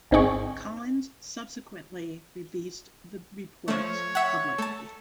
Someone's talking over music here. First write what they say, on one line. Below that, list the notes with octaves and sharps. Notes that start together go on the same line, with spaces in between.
Collins subsequently released the reports publicly.
G#1 C4 D#4 G#4 C#6
F3 A3 C#5
E5 F#5
A3 A5